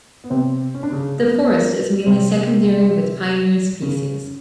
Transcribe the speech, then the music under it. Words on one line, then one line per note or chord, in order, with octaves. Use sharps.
The forest is mainly secondary with pioneer species.
B3
C3 C4
C#4
D4
C#3 C#4
B3
B3
A#3
C3 C4
C#3 C#4